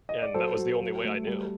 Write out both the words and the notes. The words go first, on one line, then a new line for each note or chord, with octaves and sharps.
and that was the only way I knew.
D#5
D5
F#3 A4 C5
F#3
F#3
A3
G3